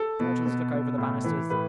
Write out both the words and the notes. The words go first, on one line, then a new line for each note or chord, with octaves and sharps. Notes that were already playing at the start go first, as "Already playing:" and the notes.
Daughters look over the banisters.
Already playing: A4
B2
B2
B2
A2
E3
A2 B4